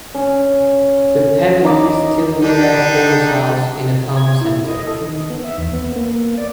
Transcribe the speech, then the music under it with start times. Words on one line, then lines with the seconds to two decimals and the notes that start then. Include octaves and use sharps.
The family still live at Borris House in the town centre.
0.15 C#4
1.65 D#4 D6
2.41 G3 D4 D#4
4.17 G#6
4.41 E4
4.68 D#5
4.87 A4
5.01 D#3
5.30 B3
5.44 E5
5.58 E2
5.73 B3
5.96 A#3
6.38 D5